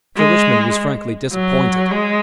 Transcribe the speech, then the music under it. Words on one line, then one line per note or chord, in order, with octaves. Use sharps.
Sir Richmond was frankly disappointed.
G#3
F#3
G#3